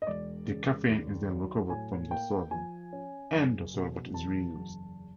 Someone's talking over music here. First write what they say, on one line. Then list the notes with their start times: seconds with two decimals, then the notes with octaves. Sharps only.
The caffeine is then recovered from the solvent, and the solvent is re-used.
0.02 D#5
0.07 E1 D5
0.47 C#3
0.89 D#2
1.30 F#3
1.70 A2 G#5
2.11 A#3 G5
2.51 F3 G#5
2.93 C#4
3.33 F#1
3.74 B2
4.14 E2 A5
4.55 F#1